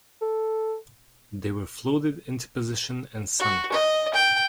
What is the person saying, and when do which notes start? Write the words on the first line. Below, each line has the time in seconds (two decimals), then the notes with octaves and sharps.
They were floated into position and sunk.
0.21 A4
3.39 F#4
3.72 D#5
4.14 G5